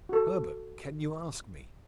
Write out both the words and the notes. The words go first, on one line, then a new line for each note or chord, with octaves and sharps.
"Herbert, can you ask me?"
F#4 A4